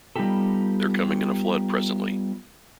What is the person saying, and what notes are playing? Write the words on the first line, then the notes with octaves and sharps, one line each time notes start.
They’re coming in a flood presently.
G3 B3 D#4 F4 G4 A4